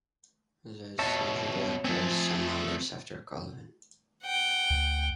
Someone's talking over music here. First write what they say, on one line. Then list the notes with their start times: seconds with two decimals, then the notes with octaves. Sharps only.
This usually occurs some hours after calving.
0.99 F2 B2 C#5 E5 A5
1.84 F3 A3 C4 G#4
4.24 F#5 G5
4.70 D2